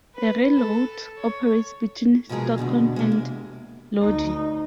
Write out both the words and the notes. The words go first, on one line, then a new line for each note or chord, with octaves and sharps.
The railroad operates between Stockton and Lodi.
B4
A4
C#5
B2 F3 F#3 G#3 G#4 A#4
E2 G2 B2 D3
G#3 A#3
C3
D2 D#4